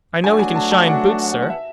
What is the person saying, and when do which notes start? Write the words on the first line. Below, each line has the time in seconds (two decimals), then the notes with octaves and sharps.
"I know he can shine boots, sir."
0.24 F#3 A3 D4 F#4 G#5
0.39 G#5
0.55 A5
0.71 A5
0.87 F#5
1.42 F#5
1.50 E5